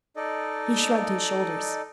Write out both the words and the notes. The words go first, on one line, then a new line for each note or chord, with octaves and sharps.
He shrugged his shoulders.
D#4 A4 D5 D#5